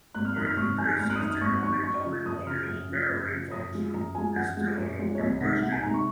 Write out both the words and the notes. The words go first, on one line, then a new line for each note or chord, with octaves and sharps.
Whether this is the only polynomial pairing function is still an open question.
G#1 F#6
F6
F#2 D#3 F#3 F#6
F6
G#1 C#6
F#2 D#3 F#3 G#5
G#1 F6
F#6
D#6
F#2 D#3 F#3 F6
D#6
G#1 C#6
F#2 D#3 F#3 C#6
F#2 C#6
C#3 F3
F#2 D#6
C#3 F3 F6
F#2
C#3 F3
F#2
C#3 F3
F#2 D#6
F3 G#3
F#2 A#5
F3 G#3 G#5
F#2 F#5
F3 G#3
F#2 C#5
F3 G#3
C#5
C2 D#5
C3 D#3 G#3 D#4 F#5
C2 F#5
G#5
C3 D#3 G#3 D#4 A#5
C#6